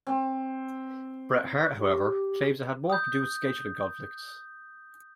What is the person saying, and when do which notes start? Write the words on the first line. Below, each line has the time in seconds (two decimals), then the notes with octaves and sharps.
Bret Hart, however, claims it had more to do with scheduling conflicts.
0.07 C4
1.78 G4
2.90 D#6 G6